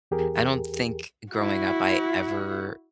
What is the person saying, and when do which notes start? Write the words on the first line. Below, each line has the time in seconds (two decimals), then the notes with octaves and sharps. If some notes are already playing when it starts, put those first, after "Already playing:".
I don't think growing up I ever
0.11 E2 G4 G#4 A#4
1.32 E4 F#4